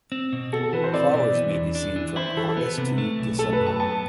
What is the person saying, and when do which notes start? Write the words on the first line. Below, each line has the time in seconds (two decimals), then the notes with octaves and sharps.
Flowers may be seen from August to December.
0.12 C4
0.33 B2
0.53 F#4 A4
0.63 A4
0.73 E3 B4
0.84 C5
0.94 C4 D5
1.14 B2 D5
1.35 E3
1.55 E2
1.75 D4
1.96 E3
2.16 E4 C5
2.37 E3 A4
2.48 A4
2.57 B3 B4
2.78 C3
2.98 A3
3.18 B1
3.39 A3 A4
3.53 B4
3.59 F#2
3.66 A5
3.80 B3 A5